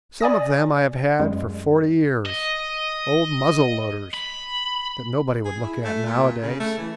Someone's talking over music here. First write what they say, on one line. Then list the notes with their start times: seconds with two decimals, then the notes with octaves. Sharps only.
Some of them I have had for forty years, old muzzle-loaders that nobody would look at nowadays.
0.21 D5 G#5 D#6 A#6
1.20 F#2 G3 G#3
2.26 D#5
4.14 B5
5.45 G#4
5.63 E4
5.84 A3
6.06 A#2
6.43 C#3
6.60 A3
6.78 E3